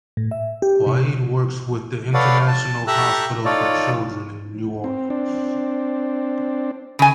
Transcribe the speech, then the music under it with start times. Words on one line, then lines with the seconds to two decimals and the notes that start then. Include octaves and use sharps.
Quaid works with the International Hospital for Children in New Orleans.
0.17 A2
0.31 E5
0.62 G4
0.87 C3
2.14 A4 B4 C#5 D5 F5 F#5
2.48 A5
2.87 G4 A4 E5 A#5 E6 F#6
3.45 D#4 F4 A4 C#5 D5
4.84 C4
5.10 C4 D4
6.99 C#3 G#5